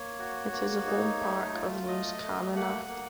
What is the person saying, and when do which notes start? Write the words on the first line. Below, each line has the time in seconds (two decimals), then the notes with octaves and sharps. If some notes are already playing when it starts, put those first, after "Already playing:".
It is the home park of Lewis Camanachd.
Already playing: A#3 C#5
0.19 F#4
0.52 A#3
0.86 D#4
1.21 A3
1.54 F4
1.88 A3 D#5
2.22 A3
2.56 A#3 F#5
2.88 A#3